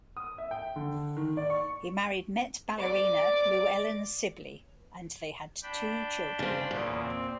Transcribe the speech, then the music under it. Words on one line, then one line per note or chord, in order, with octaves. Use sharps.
He married Met ballerina Louellen Sibley and they had two children.
D#6
E5
G5
D3
D#3
D5
C#6
D5 D6
D4 G5 B5
C#3 C4
E2 A#2 C#3
C4